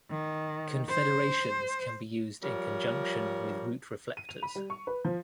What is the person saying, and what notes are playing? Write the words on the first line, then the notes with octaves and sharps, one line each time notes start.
Confederations can be used in conjunction with route reflectors.
D#3
C5
F3 G3 A#4 C#5
D#7
F7
B5
G3
C#6
B4
F3